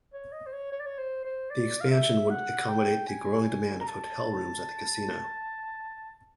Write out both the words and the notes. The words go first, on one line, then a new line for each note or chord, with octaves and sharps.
The expansion would accommodate the growing demand of hotel rooms at the casino.
C#5
D#5
C5
C#5
C#5
D5
C#5
C5
C5
D5
F5
E5
F#5
G5
G#5
A#5
A5